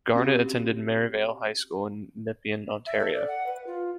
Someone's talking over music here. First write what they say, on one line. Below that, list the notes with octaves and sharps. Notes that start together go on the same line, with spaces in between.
Garnet attended Merivale High School in Nepean, Ontario.
C4 C#4 F#4 G4
E5
A4
D5
F#5
B4
F4